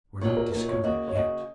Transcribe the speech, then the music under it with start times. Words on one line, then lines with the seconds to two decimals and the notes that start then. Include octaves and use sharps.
We're not discovered yet.
0.21 A#2 F#3 D#4 C#5
0.37 A#4
0.52 A#2 F#3 D#4 A#4
0.69 C#5
0.83 C#3 A#3 F#4 D#5
1.08 C#5
1.15 C#3 A#3 F#4 D#5